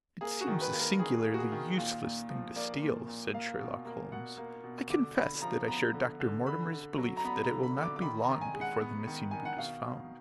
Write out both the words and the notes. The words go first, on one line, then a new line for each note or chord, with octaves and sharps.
"It seems a singularly useless thing to steal," said Sherlock Holmes. "I confess that I share Dr. Mortimer's belief that it will not be long before the missing boot is found."
A#3 G#4
F#4
D#3
B4
A#3
A#4
D#3 G#4
A#3
F#4
G#4
D#3
A#2 F4
A#2
F3
A#3 D5
A#2
A#2
A#3 F5
B2
A#3
B2 F#5
A#3
B2
D3 D6
D3 B5
F3 A#5
B3 A#5
D3
D3
D3 B5
D3
F#3
A#5
B3 B5
A#5
D3
B5
D3
D6
D6
D#3 B5
A#5
D#3
G#5
G#3
F#5
B3
D#3
D#3 G#5
F#5
B2 F5
B2